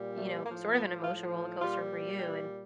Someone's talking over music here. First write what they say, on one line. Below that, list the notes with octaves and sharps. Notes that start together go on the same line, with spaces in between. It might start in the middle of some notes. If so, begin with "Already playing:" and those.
you know, sort of an emotional roller coaster for you, and
Already playing: A#2 G3
A3
A2 F3 A#3
B3
F4
A#2 G3 F4
G4